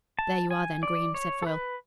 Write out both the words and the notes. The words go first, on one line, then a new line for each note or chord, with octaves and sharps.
"There you are, then, Green," said Foyle.
A5
G#5
D5
C#5
A4
B4